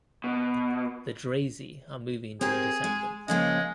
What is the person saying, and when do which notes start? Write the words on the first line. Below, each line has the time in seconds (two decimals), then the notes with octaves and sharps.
The Drazi are moving to intercept them.
0.24 B2
2.41 C4 G4 G#4 A#4
2.84 G#3
3.28 C#3 F3 G#3 A#3